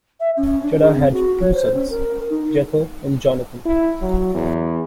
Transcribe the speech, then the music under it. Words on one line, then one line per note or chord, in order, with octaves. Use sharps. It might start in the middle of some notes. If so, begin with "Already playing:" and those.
Jada had two sons, Jether and Jonathan.
E5
C#4
D4
G#4
C4
F#4
C#5
C5
C#4
A#4
D#4
E4
F#3
E2